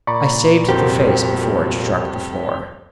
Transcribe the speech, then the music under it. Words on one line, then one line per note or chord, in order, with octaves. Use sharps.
I saved the face before it struck the floor.
A#2 D5 A#5 B5 C#6
C2 F2 F#4 G4 A#4 C5